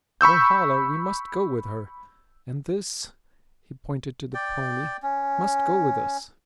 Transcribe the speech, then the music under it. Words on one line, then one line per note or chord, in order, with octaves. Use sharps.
"Norhala, we must go with her. And this"--he pointed to the pony--"must go with us."
B5 C#6 E6 G6
D5 G5
C#4